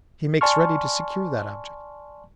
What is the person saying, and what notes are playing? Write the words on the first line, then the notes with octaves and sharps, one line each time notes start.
He makes ready to secure that object.
D5 G#5 A5 C6 C#6 F6